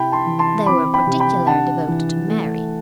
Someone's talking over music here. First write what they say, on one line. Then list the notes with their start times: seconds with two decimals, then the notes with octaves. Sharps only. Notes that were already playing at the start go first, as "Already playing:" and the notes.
They were particularly devoted to Mary.
Already playing: C3 E4 G5 B5
0.12 A5 C6
0.26 E3
0.39 A5 C6
0.66 C4 B5 D6
0.94 G5 B5
1.07 C3
1.20 G5 B5
1.47 D4 F#5 A5
1.88 E3
2.28 A3